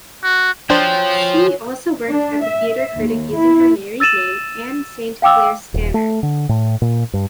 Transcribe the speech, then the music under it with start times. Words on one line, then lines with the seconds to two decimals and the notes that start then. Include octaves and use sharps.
She also worked as a theatre critic using her married name, Ann Saint Clair-Stannard.
0.23 F#4
0.70 F3 F#3 C#4 D4 C5 G5
2.08 D4
2.43 E5
2.95 D#2
3.35 E4
4.00 E6 A6 D#7 E7 F#7
5.22 F5 G5 D6 E6
5.74 D#1
5.94 A3
6.23 D3
6.49 A2
6.82 A#2
7.13 G2